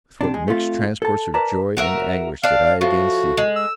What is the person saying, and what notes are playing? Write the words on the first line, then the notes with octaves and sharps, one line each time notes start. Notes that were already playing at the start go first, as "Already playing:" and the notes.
With what mixed transports of joy and anguish did I again see her!
C3 D4
G#3 G#4
A3 C4 F4
A4 A5
A#4 B4 D5 A5 A#5
F#4 A#4 E5
D4 D5 F5
A2 F3 F#4
G#3
E6